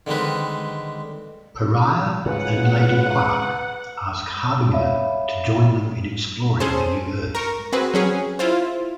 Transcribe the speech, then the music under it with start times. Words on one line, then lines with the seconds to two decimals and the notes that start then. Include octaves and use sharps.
Pariah, and Lady Quark, ask Harbinger to join them in exploring the new earth.
0.07 D3 D#3 G#3 C4 B4
2.26 G#2 C#3 B4 F#5
4.72 C#5 D5 E5 F5 B5
6.60 C#4 G#4 A4 C5
7.35 A#4 C#6
7.72 C4 F#4 G#4 B4
7.94 F#3 C#4 G#4
8.39 E4 F4 C5